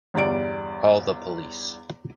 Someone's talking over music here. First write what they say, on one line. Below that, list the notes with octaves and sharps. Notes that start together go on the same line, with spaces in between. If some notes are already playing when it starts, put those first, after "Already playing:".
Call the police.
G1 E2 G3 D5 D7